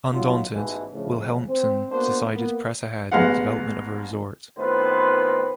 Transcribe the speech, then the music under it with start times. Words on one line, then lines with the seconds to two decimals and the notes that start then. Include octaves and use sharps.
Undaunted, Wilhelmsen decided to press ahead with development of a resort.
0.12 F#3 G3 A3 D#4 F4
0.53 A1 G#2 B2 E3 G#3
0.92 F2 A2 C#3
1.48 C4
1.91 A#3 B3 D4 F#4 C5
2.34 A#3 B3
3.12 A1 G#3 B3 F5 F#5
4.57 A2 D#3 B3 C4 F4 B4